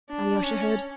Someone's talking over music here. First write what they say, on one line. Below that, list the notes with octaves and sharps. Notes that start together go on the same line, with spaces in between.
Alyosha heard.
D4
C#4